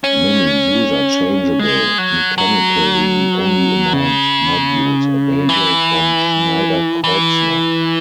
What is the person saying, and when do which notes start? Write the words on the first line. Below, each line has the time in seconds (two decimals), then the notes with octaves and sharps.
Many user-changeable mechanically-only mount modules available from Schneider Kreuznach.
0.04 C#4
1.59 G#3
1.98 F#3
2.38 F#3
3.93 C#3
5.49 E3
7.04 E3